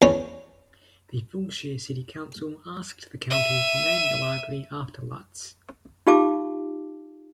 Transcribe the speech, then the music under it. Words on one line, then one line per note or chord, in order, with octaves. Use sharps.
The Fulshear City Council asked the county to name the library after Lutts.
E2 C#4
E5 D#7
D#4 F4 G4 F5 A5 D6